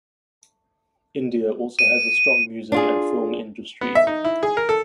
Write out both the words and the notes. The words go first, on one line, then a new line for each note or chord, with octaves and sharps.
India also has a strong music and film industry.
D#7
D4 F4 G#4
B3
E5
D#4
E4
G#4
A#4
A4